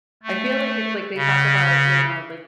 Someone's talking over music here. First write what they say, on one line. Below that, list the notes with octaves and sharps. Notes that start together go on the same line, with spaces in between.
I feel like it's like, they talk about, you know, like,
A3
C#3